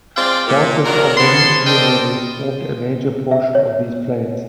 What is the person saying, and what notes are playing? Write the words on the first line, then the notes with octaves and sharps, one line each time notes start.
Deltas of many of India's rivers form a major portion of these plains.
G#3 C4 F4 D5 F5 G5
A#2
D#3 F#3 D4 F4 A#4
G#2 B3 C#5 A5 C6
D4 A4 A#4 C5 D#5 G5
E5
C#5